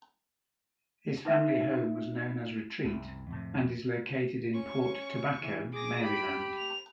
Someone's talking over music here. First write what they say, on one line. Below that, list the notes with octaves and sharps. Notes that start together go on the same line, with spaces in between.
His family home was known as Retreat and is located in Port Tobacco, Maryland.
D#4 B4 E5
C2 F#2
F2 A2 C3
C#4 C#6
E3
G#4 D6 A#6
G4 B5 D7
F7